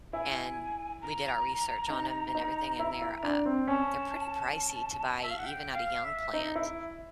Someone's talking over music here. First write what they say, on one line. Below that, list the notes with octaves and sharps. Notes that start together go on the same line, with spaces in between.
And we did our research on 'em and everything and they're, um, they're pretty pricey to buy even at a young plant.
E4 G#5
A#5
D#4
D#4
E4
E4
D4
C4
C#4 A5
E5
F5
F#5
G5
F5
E5
D#4
E4